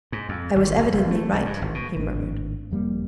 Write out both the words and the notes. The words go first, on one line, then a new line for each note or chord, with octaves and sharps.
"I was evidently right," he murmured.
G#2
F2
G#1
F#1
E1
A3
C2
G2
G#1
B2
G#1 A2 C#4 D4
F#1 F2 G3 A#3